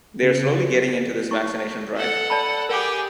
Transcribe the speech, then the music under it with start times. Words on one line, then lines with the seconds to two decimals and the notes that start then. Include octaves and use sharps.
They are slowly getting into this vaccination drive.
0.22 C#3
1.31 E4 C#6
1.95 A4 F#5
2.30 D5 A5 B5
2.69 G4 G#4 A#4 F#5 D6